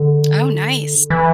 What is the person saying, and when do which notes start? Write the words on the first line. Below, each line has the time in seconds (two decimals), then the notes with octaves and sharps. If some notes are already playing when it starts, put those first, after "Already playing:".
Oh, nice.
Already playing: D3
1.10 E3